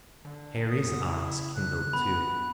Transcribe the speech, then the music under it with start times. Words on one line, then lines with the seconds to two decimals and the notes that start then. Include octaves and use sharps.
Harry's eyes kindled, too.
0.25 D3
0.68 D#6
0.82 F#2 C#3
1.08 E4
1.56 D3 F#6
1.93 B3 B5